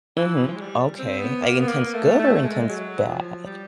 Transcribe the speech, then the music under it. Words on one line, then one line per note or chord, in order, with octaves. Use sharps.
Mhm. Okay, like, intense good or intense bad?
E3
F3
G#3
G3
C4
B3
A#3
B3
A#3
A3
A3
A3
G#3
F#3
F3
G3